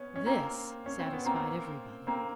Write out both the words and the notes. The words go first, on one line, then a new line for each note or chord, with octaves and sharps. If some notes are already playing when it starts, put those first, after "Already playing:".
This satisfied everybody.
Already playing: B3 C#4
C#4
A#3 C4
C#4
C4
B3
A#3 C4
A#3 C4